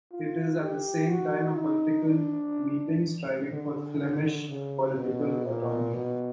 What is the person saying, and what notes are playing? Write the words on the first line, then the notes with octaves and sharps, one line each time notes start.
It is at the same time a political meeting striving for Flemish political autonomy.
F4
G4
F#4
D#4
D4
D3
D3
C#3
B2
A#2
B2